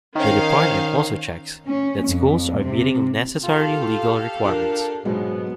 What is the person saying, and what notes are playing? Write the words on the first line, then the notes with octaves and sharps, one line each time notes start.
The department also checks that schools are meeting necessary legal requirements.
D#3 C#4 C5 F5
C#4
F2
C3
F4 G4 A4 F5
D4 F4 A#4
G#2 B2 F#3 G#3 B3